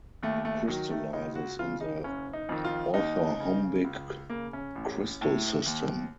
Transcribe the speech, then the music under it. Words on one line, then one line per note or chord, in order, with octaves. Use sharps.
It crystallizes in the orthorhombic crystal system.
D#2 A3
A3
D#3 F#3
A3
C#2 D#4
F#4
C#3 F4
D#4
F#1 C#4
D#4
F2 D#3
F4
D#2 D#4
C#3
C#2
C#3 A#3
C#4
A1
A2
D#2